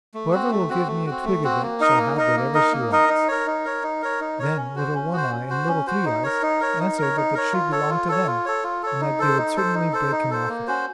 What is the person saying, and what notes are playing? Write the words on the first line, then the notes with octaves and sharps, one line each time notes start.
Whoever will give me a twig of it shall have whatever she wants.' Then Little One-eye and Little Three-eyes answered that the tree belonged to them, and that they would certainly break him off a twig.
A3
C4 F#4
A3
C4 F#4
A3
C4 F#4
A3
C4 F#4
A#3
D#4 A#4 D#5
A#3
D#4 A#4 D#5
A#3
D#4 A#4 D#5
A#3
D#4 A#4 D#5
D#4
A#4 C#5
D#4
A#4 C#5
D#4
A#4 C#5
D#4
A#4 C#5
C#4
F#4 C5
C#4
F#4 C5
C#4
F#4 C5
C#4
F#4 C5
D#4
A#4 C#5
D#4
A#4 C#5
D#4
A#4 C#5
D#4
A#4 C#5
F4
A4 C#5
F4
A4 C#5
F4
A4 C#5
F4
A4 C#5
D#4
A4 C5
D#4
A4 C5
D#4
A4 C5
D#4
A4 C5
A#3
C#4 F#4 C5